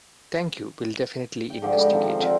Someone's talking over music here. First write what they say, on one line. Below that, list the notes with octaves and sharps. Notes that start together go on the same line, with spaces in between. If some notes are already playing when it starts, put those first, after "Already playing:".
Thank you. Will definitely investigate.
G5
G#2 D3 F3 G4
D4 A4 A#4 B5
C3 D#3 F3
F4 C5
D3 F3 C4 A#4